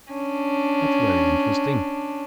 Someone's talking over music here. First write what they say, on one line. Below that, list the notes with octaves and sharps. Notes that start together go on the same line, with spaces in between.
That's very interesting....
C#4 D4